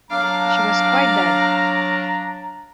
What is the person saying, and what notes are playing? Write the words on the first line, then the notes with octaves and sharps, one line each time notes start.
She was quite dead.
F#3 D4 F5 A#5 D6